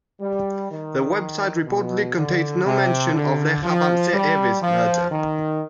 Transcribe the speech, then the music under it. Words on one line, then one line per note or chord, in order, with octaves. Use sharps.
The website reportedly contains no mention of Rehavam Ze'evi's murder.
G3
D#3
B2
D3
C3
D3
F3
G3
F3
D#3